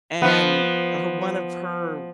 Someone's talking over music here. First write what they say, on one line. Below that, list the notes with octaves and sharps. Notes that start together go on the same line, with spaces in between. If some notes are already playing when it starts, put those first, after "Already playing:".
and her one of her
F3 B3